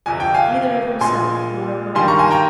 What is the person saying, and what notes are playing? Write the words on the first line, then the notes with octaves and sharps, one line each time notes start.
Neither of himself nor of Marius.
G1 F2 C3 G#5
G5
F5 G#5
A#1 A#2 G#3 G#5 C6
G2 D#3 G3 A#3 G#5 C6
A#5 C#6
G#5 C6
G5 A#5